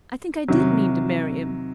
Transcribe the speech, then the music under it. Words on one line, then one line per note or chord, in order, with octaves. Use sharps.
I think I did mean to marry him.
C3 D#3 F#3